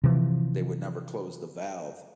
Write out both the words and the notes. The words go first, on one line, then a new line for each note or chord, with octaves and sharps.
they would never close the valve,
C3 E3 F3